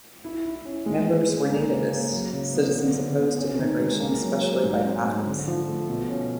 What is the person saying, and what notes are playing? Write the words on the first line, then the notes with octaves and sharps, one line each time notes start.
Members were Nativists, citizens opposed to immigration, especially by Catholics.
E4
E4
C#4
G#3
G#3
G#3
A#3
C#3
A#3
F#3
C#3
B3
D3
D3
B3
C#4
D#3
G#3
A#3
F#3
F#3
G#2
C4
G#2
D3
F3
A3
B2
C#4